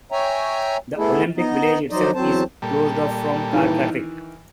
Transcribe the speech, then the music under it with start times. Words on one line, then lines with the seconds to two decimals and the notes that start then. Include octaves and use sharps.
The Olympic Village itself is closed off from car traffic.
0.12 C#5 E5 G5 G#5 A#5
0.97 A3 B3 E4 G#4 A4
1.37 B3 D#4 D#5
1.91 F3 F#3 D#4 C5 D5 D#5
2.15 E2 F#3 C4 C5 A5
2.62 A#2 G3 A4
3.53 D#3 E3